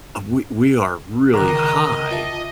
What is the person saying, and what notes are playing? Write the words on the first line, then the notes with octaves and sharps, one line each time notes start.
we we are really high,"
C#2 D3 D#3 A#4 D#5 A#5 D6 F#6
F4 E5 A5